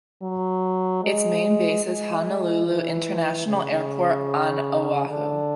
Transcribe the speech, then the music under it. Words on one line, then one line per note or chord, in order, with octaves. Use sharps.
Its main base is Honolulu International Airport on Oahu.
F#3
G#3
G#3
E3
C#3
D3